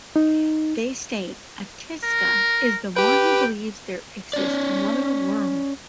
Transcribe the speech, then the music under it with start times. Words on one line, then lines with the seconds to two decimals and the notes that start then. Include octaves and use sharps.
They state, Astika is the one who believes there exists another world.
0.16 D#4
2.03 A#4
2.96 G4 B4 G5
4.33 C#4 D5